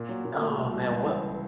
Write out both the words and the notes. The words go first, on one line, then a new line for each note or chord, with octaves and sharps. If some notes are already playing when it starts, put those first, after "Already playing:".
Aw, man, what
Already playing: A#2
F#3
A#2
A3
C2
C2
C#2
E3